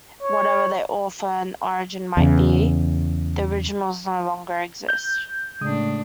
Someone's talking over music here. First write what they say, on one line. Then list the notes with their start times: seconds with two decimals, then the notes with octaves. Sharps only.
Whatever their author and origin might be, the originals no longer exist.
0.23 C#5
2.17 E2 C#3
4.89 G6
5.61 A2 C#3 G#3 D4 D#6